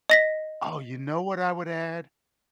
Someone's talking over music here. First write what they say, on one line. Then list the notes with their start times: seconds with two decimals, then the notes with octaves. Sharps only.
Oh, you know what I would add?
0.10 D#5 A#6 B6